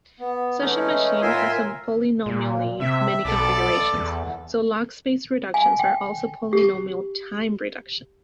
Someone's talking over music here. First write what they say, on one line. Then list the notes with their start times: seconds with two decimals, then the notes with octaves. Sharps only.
Such a machine has polynomially-many configurations, so log-space reductions are also polynomial-time reductions.
0.20 B3
0.60 E3 G#3 A3 C#4 D#4
1.22 A2 F4 A#4 E5 G#5 C6
2.26 A#2
2.80 C3 E5
3.25 B1 B3 A4 D5
3.94 E2
5.54 G#5
5.79 G5
6.53 G4